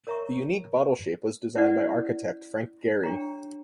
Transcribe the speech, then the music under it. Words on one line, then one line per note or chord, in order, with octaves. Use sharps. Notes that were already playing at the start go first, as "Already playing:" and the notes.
The unique bottle shape was designed by architect Frank Gehry.
A#4 C#5 E5 A#5 C#6
C#4 E4 B4 D5 F#5
D4 G4 C#5 G5 A#5